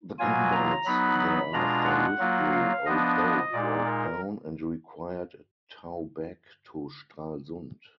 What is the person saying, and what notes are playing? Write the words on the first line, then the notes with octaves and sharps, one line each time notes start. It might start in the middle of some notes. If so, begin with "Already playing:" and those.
The gunboats thereafter withdrew, although broke down and required a tow back to Stralsund.
B2 F#3 A#3 F4 G#5
A#5
F#3 B3 D#4 B5
B5
B2 G#3 D4 F4 A#5
F#5
F#3 A#3 F4
F5
F3 B3 D4 D#5
A#2 G#3 D#4 D5
A#4